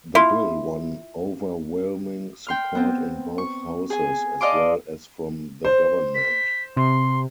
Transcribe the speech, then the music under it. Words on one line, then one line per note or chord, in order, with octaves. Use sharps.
The Bill won overwhelming support in both Houses as well as from the Government.
E4 F4
G5 C6 F6
B3 C4
C#6
G#4 G#5
D5 D#5 F5 A5 C6 D6
C5
B6
C3 C6